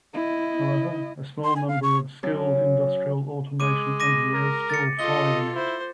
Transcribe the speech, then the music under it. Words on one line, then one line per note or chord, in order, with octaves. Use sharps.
However a small number of skilled industrial automation engineers still thrive in it.
E4 D#5
C6
G#5
F5
C#6
F#2
G#3 D6 D#7
D6 A#6 D#7
A#4
A6 C#7
F4 A4 D#5 G7
E4 C5